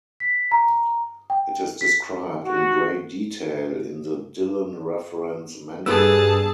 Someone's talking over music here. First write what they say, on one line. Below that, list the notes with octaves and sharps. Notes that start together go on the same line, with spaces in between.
It is described in great detail in the Dylan Reference Manual.
B6
A#5
G5
B6
F#4
G2 G3 B3 G#4 A4 A5 E6